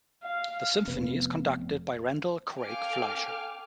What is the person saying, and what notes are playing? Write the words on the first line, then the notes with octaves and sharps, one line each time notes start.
The symphony is conducted by Randall Craig Fleischer.
F5
F1 B3
A4 F5 G5 G#5 D6 F6